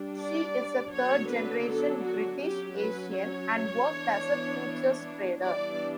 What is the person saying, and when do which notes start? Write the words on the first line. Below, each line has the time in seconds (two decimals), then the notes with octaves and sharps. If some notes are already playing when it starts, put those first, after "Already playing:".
She is a third-generation British-Asian and worked as a futures trader.
Already playing: G3 D4
0.19 D5
0.93 D3 F#3 B3 D4 C#5
1.31 B4
1.68 A4
2.06 F#4
2.43 F#3 C#4 G4
2.81 B4
3.18 C#5
3.93 E3 B3 D4
5.43 E3 G3 B3 D4 D5